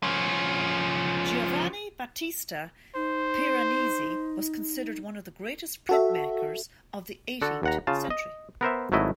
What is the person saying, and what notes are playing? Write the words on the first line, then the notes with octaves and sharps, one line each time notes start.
Giovanni Battista Piranesi was considered one of the greatest printmakers of the eighteenth century.
F3 C#4
D#4 C5
F#4 A4 E5
D3 F#4 A4
D#2 F#5 A#5
C#3 F4 A5
D#5
B3 A#4 C5 E5
G#1 F#3 A3 E4 D#5